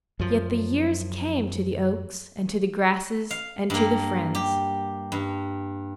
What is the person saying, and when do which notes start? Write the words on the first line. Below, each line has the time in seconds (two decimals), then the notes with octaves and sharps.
Yet the years came, to the oaks and to the grasses and to the friends.
0.19 F#2 F3
3.31 F5
3.70 G2 A#3
4.35 G4
5.12 G2